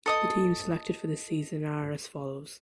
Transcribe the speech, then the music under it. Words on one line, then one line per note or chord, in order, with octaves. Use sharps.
The teams selected for this season are as follows.
A4 D#5 D#6